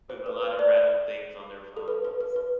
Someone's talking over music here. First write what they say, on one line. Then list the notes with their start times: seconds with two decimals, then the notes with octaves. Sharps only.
with a lot of random things on their phones.
0.10 C5
0.26 B4
0.43 C5
0.59 D5
1.77 A4
1.88 B4
2.05 B4
2.21 B4
2.36 B4